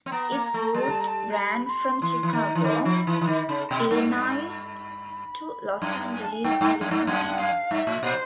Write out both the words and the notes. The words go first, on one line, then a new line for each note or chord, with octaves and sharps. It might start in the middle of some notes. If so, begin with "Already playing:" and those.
Its route ran from Chicago, Illinois to Los Angeles, California.
C4
B3 A#5
A#3
A3
G3 A5
A#5
A5
A#5
A5
A#5
B5
B5
C6
E3 C6
E3
B5
D#3 A#5
E3
A#5
D#3 B5
F3
E3
E3
D#3
C#3
B2
G2
B5
F#2 A#5
G#5
A5
G#5
G2 G5
G2
F#5
F#2
G2
F#2 F#5
F5
G2 E5
A2
A#2 C5